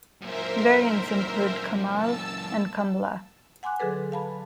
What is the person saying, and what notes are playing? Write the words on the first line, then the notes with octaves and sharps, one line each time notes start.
Variants include Kamal and Kamla.
F#2 A#2 A#4 C5 E5
A5 E6
F#5 G#5 C6 D6 F#6
D3 F#3 G#4 A4 B4
F5 A5 B5